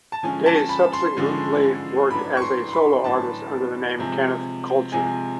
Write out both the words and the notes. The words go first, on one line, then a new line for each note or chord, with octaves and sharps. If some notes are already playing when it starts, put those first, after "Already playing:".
Dayes subsequently worked as a solo artist under the name Kenneth Culture.
A5
D3 F3 G#3 C#4 G#5
A5
B5
C6
D3 F3 G#3 C#4
A2 F#3 B3 D4 B5
C#6
C6
C6
B5
A2 F#3 B3 D4 A5
C3 F3 G#3
C3 F3 G#3 G#5